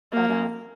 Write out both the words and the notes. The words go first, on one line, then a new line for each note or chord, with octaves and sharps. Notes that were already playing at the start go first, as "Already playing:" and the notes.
but, um,
A#3